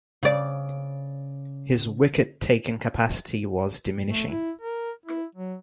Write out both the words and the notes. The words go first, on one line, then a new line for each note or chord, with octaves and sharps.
His wicket-taking capacity was diminishing.
C#3 D5
A3
E4
A#4
E4
F#3